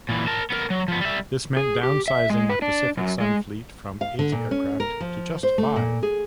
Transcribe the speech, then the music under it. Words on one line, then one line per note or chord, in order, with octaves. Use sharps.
This meant downsizing the Pacific Sun fleet from eight aircraft to just five.
A#2 E3
A#4 A5
B3 A#4
F#3
F3 B3
G3 E5
G#4
G4
E5
G#3
B4
D4
F#2
G#3
F5
D3
A#2
C#4
A#4
F3
C5
A3
A#2
G#4